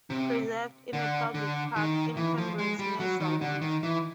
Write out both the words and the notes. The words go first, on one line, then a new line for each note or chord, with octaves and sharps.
Preserved in a public park in Cambrils near Salou.
C3
D3
D3
D#3
E3
F3
G#3
G3
F#3
D#3
D3
D#3
E3